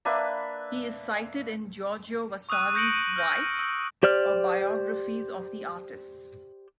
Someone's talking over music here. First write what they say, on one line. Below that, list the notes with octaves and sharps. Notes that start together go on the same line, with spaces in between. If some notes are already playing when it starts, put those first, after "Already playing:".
He is cited in Giorgio Vasari's "Vite" or biographies of the artists.
A#3 D4 B4 E5
C#6 D#6 E6 F#6 D#7
C#6 G6 A#6 C#7 D7 F#7
G6
F6 G6 A#6
E6 G6
G4 C5 D5 F6